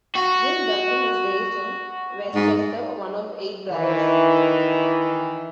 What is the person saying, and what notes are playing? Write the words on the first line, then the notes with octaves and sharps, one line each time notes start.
Jim Durkin was raised in Westchester, one of eight brothers.
F#4
G#2
D#3 E3